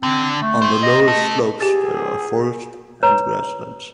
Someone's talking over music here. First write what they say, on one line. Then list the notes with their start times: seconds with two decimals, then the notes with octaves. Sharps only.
On the lower slopes there are forests and grasslands.
0.03 D3 C4
0.42 A3
0.62 G4 C5
0.83 D#5
1.08 A3
1.61 G4 G#4 A6
3.03 B4 C#5 A#5